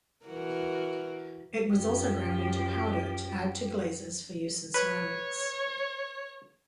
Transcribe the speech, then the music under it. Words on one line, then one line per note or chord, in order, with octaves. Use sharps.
It was also ground into powder to add to glazes for use in ceramics.
E3 F#4 A#4
F#2 F3 G4
B4 C#5